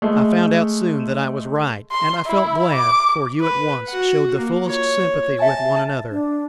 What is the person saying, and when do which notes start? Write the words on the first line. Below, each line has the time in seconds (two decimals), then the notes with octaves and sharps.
I found out soon that I was right, and I felt glad, for you at once showed the fullest sympathy with one another.
0.02 G#3 A3
1.92 C6
2.27 E4
2.74 D6
3.40 B4
3.88 F#4 F#5
4.38 A#3
4.67 F4 C#5
5.39 E5 G#5 A5
6.11 D4